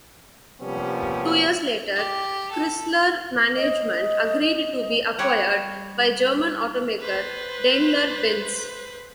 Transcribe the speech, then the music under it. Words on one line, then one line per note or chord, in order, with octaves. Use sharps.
Two years later, Chrysler management agreed to be acquired by German automaker Daimler-Benz.
C3 F3 G3 A#3 B3 C#4
G4
A4
D#5
G3 C#5 F#5
B4 C5